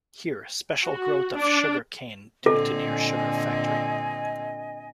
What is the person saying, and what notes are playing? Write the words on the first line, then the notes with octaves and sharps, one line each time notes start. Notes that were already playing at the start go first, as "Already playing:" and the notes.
Here, special growth of sugarcane due to near sugar factory.
F#4
D4
A#2 D3 C4 A4 D#5 G#5